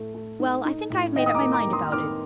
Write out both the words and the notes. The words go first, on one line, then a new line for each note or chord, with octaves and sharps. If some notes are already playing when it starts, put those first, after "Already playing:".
Well, I think I have made up my mind about it.
Already playing: A2 A3
A3
D#4
D#4
A2
D#3 D#5 G5
D#6
A#5 D6
A#3
A#5 D6
A#3
C6 D#6
D#3 D6 F6